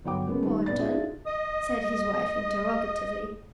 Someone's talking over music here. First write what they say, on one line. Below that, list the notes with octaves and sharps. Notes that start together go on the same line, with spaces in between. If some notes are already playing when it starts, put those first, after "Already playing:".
"Wharton?" said his wife, interrogatively.
G1 F#3 F#4 G5 D6
C#3 G#3 A#3 B3
D#3 G3 A3 D#4
A#1 B3 D5 A6
D4 D#4 F4 G#4 D5 E5
D#5 D#6